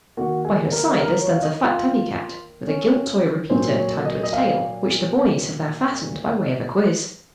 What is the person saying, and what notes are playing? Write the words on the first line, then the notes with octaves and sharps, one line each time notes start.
By her side there stands a fat tabby cat, with a gilt toy-repeater tied to its tail, which "the boys" have there fastened by way of a quiz.
D#3 A#3 F#4
G#4
A#4
A#4
C#5
F5
D#5
F4
C#4
A#2 F#3 A#3 C5
C#5
D#5
D#5
F5